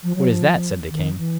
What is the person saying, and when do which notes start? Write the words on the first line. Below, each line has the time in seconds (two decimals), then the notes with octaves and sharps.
"What is that?" said the king.
0.04 F3
0.16 F#3
0.28 F3
0.90 D#3
1.18 E3